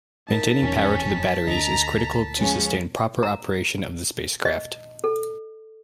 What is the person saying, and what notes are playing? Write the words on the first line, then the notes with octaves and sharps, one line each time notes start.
Maintaining power to the batteries is critical to sustain proper operation of the spacecraft.
D#4 A#4 A5 B6
F1 E2 C#4
F2
D2 D4 A4 D#5 A#5
F3 G#3 C#4 B4
A#5
D#5
A4